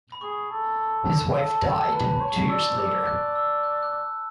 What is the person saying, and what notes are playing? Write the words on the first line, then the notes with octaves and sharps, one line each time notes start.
His wife died two years later.
B5
G#4 C#6
A4
A4 A5
A4
G#5
B4 A5
A5
B5
C#5
C#6
D5 E6
E6
D5
E6
F#6
E6
F#6
F#6